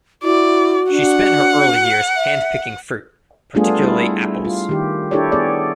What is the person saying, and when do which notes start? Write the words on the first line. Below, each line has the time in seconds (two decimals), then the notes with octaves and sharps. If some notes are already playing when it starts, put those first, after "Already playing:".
She spent her early years handpicking fruit, particularly apples.
0.23 E4 F#4 D5
0.90 D4 F#5
2.16 E5
3.55 G3 A3 B3 D4 F4 G#4
3.80 G3 E4
4.45 F4
4.69 D#3 G4
5.11 D4 E4 G4 A4 C#5 D5
5.32 B3 G#4 C#5 D5